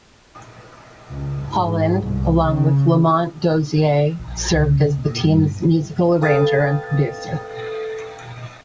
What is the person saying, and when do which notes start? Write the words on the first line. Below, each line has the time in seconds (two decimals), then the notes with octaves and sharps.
Holland, along with Lamont Dozier, served as the team's musical arranger and producer.
1.08 C#2
1.43 G#2
2.03 C2
2.42 C#3
4.19 A#1
4.49 C#2
4.62 C#3
4.98 A#2
5.24 G2
6.21 A4 B4 F5 G5 D#6 A6